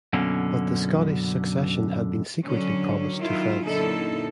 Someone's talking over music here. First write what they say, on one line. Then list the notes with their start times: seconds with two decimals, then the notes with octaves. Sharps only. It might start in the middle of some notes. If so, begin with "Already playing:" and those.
But the Scottish succession had been secretly promised to France.
0.13 F#2 B2 D3 A#3 C#4
2.44 D3 F#3 C#4
3.16 D#3 F#3 E4 F4
3.65 F#2 A#2 D3 D#4 E4 A4